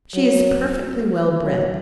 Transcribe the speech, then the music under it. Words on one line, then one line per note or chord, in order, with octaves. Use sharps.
She is perfectly well-bred.
F#3
F#3